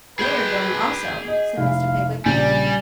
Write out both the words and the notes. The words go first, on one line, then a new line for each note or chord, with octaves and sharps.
'They are going also,' said Mr. Pickwick.
G#3 G#4 B4 G5
D#5
F1 E4 F5
A#1 C#3 G3 G#5